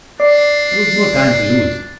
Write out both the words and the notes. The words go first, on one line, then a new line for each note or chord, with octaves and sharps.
There was no time to lose.
D4 D5 C7